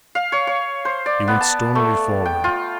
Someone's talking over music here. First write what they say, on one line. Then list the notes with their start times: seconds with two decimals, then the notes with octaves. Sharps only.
He went stonily forward.
0.15 F5
0.32 C#5
0.47 C#5
0.85 C5
1.06 D5
1.28 B3
1.41 A5
1.75 A3
2.25 G5
2.44 F4